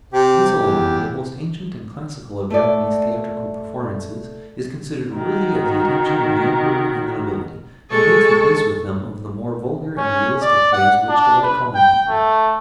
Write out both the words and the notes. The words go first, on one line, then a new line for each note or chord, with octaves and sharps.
This alone, the most ancient and classical of Japanese theatrical performances, is considered worthy of the attention of the Emperor and the nobility, and takes the place with them of the more vulgar and realistic plays which delight common people.
C3 G4
E2
A3 D5
D#3 F#4
G#3 A4 C#6
C#4
D5
F#5
D4
B4
G5
A3